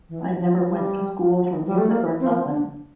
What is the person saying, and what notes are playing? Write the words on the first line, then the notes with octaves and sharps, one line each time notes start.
I never went to school for music or nothin'.
E3
F3
G3
G3
A3
A#3
C4
A#3
C4
D4